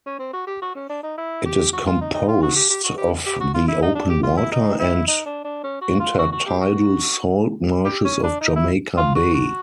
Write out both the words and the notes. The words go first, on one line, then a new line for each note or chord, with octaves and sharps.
It is composed of the open water and intertidal salt marshes of Jamaica Bay.
C#4
C4
F#4
G4
F#4
C#4
D4
D#4
E4
G4
F#4
F4
D#4
D#4
F4
F#4
G4
G4
F#4
G4
G4
F#4
F4
E4
D#4
D4
G4
F4
E4
D#4
E4
D#4
D4
D4
C#4
F#4
F4
F#4
F#4
G4
F#4
G4
C#4
D4
D#4
E4
F4
F#4
F#4